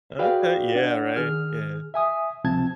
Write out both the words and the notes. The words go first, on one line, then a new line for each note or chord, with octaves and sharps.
Okay, yeah, right. Yeah.
F#4 G#4 B4 D5 F5 G5
D4 D5 F#5
D#3 G#4 F6
E5 G#5 D#6
C#2 C3 F3 C4 A5 G#6